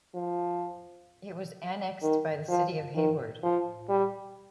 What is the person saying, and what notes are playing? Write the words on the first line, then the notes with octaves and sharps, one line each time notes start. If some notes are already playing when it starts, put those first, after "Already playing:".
It was annexed by the City of Hayward.
F3
D#3
F3
D#3
F3
G3